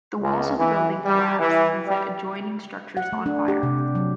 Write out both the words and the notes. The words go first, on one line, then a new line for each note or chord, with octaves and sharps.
The walls of the building collapsed, and set adjoining structures on fire.
C#2
E3
G3
E3
G3
F#5
A3
D4
G4
C3
F#3